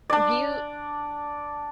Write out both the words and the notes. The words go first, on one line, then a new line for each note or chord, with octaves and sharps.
Have you
D4 D5